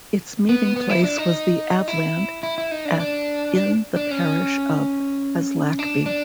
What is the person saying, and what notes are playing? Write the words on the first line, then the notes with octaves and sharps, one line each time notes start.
Its meeting place was The Aveland at in the parish of Aslackby.
B3
B3
E4
D4
D#4
E4
E4
E4
D#4
D4
D4
D4
D4
C#4
D4
D4